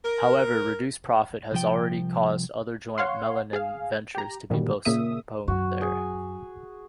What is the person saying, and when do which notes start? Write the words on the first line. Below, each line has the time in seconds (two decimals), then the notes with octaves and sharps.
However, reduced profit has already caused other joint melamine ventures to be postponed there.
0.04 A#4
1.52 C2 F3 G5
2.98 C#5 F5 F#5 C6
3.53 G#4 F5
4.15 G4 A#5
4.50 G2 A#2 D3 D#3 F#3 G3
4.85 A#2 C#3 A#3 E5 D#6
5.48 F#2 F#4
5.81 G#4